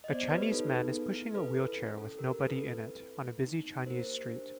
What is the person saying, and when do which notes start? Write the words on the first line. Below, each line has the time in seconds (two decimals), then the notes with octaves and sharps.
A Chinese man is pushing a wheelchair with nobody in it on a busy Chinese street.
0.04 D#5
0.08 B3 C5 D5
0.29 G4 B4 C#5
0.50 D#4 A4 B4
0.72 B3
0.92 G#4
1.13 E4
1.34 G#4 A4 B4
1.56 E4
1.77 C#4
1.97 C#4 A4
2.18 G4 A#4
2.39 E4 A4 B4
2.61 C4
2.81 A4
3.02 E4
3.23 A3
3.44 D#4
3.65 C4
3.86 A#3 A#4 C5
4.07 G4
4.28 D4